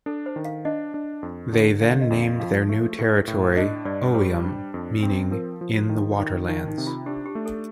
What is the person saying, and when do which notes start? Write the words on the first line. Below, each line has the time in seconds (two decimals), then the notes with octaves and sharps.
They then named their new territory "Oium", meaning "in the waterlands".
0.06 D4 A4
0.26 C5
0.36 D#3
0.45 F5
0.65 D4 D#5
0.94 D4
1.23 F2
1.53 D3
1.81 D3 F5
2.01 D#5
2.10 F2
2.21 F5
2.40 F3 F5
2.69 A3
2.99 A2
3.28 A2
3.57 D4 D#5
3.85 G2 D5
4.14 G3 C5
4.45 D4
4.74 F2
5.03 C4
5.31 F3 A#4
5.61 F3
5.89 D#3
6.19 D#3
6.48 D#3 D#4
6.68 D#4
6.78 C3
6.87 F4
7.06 D4 G4
7.26 G4
7.35 A3
7.46 A4